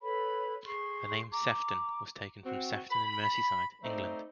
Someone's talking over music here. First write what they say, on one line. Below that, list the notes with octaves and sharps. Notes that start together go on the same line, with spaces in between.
The name Sefton was taken from Sefton in Merseyside, England.
A4 B4 C#5 B5
G#4 C6 C#6
A#5 D6
C4 F#4
B5
A3 C4 D#4 C5 D5 A#5